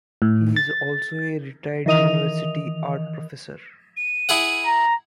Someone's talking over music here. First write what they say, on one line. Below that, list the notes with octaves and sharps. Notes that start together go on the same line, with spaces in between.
He is also a retired university art professor.
A2
A6
D#3 E3 A#4 D#5 D#6 F7
D#7
E4 G#4 F#5
A#5